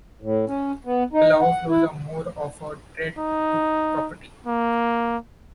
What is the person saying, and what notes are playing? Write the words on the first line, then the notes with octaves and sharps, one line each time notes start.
The lava flows are more of a threat to property.
A2
C#4
B3
D#4
F#5
E4
D#4
A#3